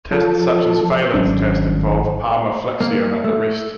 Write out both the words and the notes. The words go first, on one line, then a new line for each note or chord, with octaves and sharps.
Tests such as Phalen's test involve palmarflexion at the wrist.
F3 A4
G#1 F#3 C#4 D4
A#3
A3